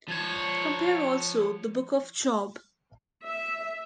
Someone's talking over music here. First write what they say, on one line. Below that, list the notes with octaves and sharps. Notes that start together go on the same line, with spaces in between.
Compare also the Book of Job.
F3 C#5
E5